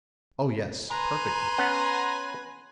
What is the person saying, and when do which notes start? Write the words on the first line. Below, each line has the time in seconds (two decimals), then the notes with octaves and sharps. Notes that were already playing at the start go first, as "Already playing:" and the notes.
"Oh, yes--perfectly."
0.91 B4 G#5 A#5 C6
1.58 B3 C#4 F#5